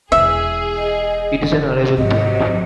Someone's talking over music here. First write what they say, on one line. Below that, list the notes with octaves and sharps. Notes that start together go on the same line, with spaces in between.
It is an arable plant.
E1 E4 G#4 E5
D#5
G#1 C3 F#3 D#5